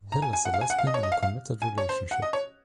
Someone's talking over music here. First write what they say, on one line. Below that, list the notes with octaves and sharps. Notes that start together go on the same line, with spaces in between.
Hill is a lesbian in a committed relationship.
A#5
G#5
G#5
F#5
F5
G#5
F#5
F5
D#5
C#5
D#5
F5
F5
G#5
C#5
C5
F#5
D#5
C#5